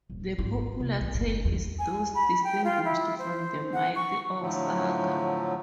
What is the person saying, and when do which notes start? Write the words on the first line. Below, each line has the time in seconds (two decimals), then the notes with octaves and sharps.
The popular tale is thus distinguished from the myth or saga.
0.10 D#1
0.38 G#1 F4
0.80 C3
1.01 A#1 D#3
1.15 F#1 A2
1.45 E2
1.78 G#5
2.14 B5
2.44 G5
2.64 F4
2.84 E4
3.18 C5
3.73 F#5
3.95 C#6
4.42 A2 D3 F3 F#3 A3